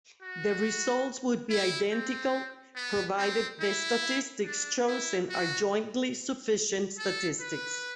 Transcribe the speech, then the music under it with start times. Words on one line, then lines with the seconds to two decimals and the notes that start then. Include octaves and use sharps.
The results would be identical provided the statistics chosen are jointly sufficient statistics.
0.23 F#4
1.49 E4
1.91 C4
2.76 B3
3.18 C4
3.60 E4
4.45 D4
4.87 E4
5.29 F#4
6.98 A4
7.40 B4